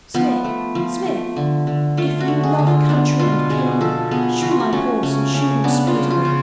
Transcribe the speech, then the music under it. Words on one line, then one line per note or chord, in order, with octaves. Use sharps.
"Smith, smith, if you love country and king, shoe my horse, and shoe him speedily."
F3 B3
A3
F3
A3
D3
D3
A3 F4
F#4
D3
G#4
D3
F4
B3 D4
B2 F4
B2 G#4
F3 A4
B3 G#4
F3 F#4
F4
F#4
A3 C#4
C#3 C#4
C#3 C#4
B3 D4
F4
C#3
F4
C#3